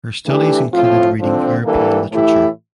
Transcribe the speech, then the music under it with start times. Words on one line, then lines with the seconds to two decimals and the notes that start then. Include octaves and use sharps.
Her studies included reading European literature.
0.26 E3 A3 D4 G4
0.73 A2 F3 C4 F4
1.18 D3 F3 C4
1.64 E3 G3 A#3 D4 A4
2.11 A2 E3 A3 E4 G4